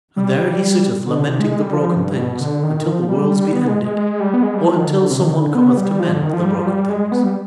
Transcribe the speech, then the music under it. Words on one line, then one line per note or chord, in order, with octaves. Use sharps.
And there he sitteth lamenting the broken things until the worlds be ended, or until someone cometh to mend the broken things.
G3
D3
C3
G#3
G#3
G3
F3
G2
B2
D3
D#3
F3
G3
G3
B3
G#3
G#3
G#3
G3
B3
G#3
G3
F3
D#3
D3
C3
D#3
D3
B3
G3
F3
D3
D#3
F3
G3
F3
G3
G#3
B3
G3